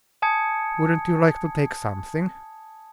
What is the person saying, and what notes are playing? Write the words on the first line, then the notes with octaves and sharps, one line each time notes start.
"Wouldn't you like to take something?"
G#5 A5 D#6 G#6 C#7